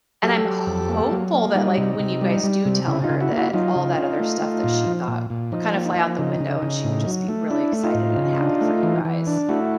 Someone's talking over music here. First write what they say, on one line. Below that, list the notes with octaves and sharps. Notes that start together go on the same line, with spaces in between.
And I'm hopeful that, like, when you guys do tell her that all that other stuff that she thought, would kind of fly out the window and she would just be really excited and happy for you guys.
F#3 G4 A4
F#3
F2
A#3
F#3
A#3
G3 D#4
C3
C3
G3
G3
C3
C#3 E4
D#4 F4
C#3
E4 F#4
A#3
E4 F#4
F#3 D#4 F4
C#3
C#4
A3
A3
A#2
F3
A#2
A#2
F3 D#4
A#3
D#4
F3
C#3 D#4
C#3
C#3
A2
F#3
A3
D4 E4
A3
D#4 F4
A2
C#3
D4
A3
E3
E3
D4
A3 E4 F#4